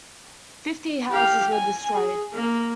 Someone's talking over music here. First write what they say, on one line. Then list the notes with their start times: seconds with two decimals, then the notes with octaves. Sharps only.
Fifty houses were destroyed.
1.10 G4 F5
1.52 G#5
1.93 G#4
2.33 A#3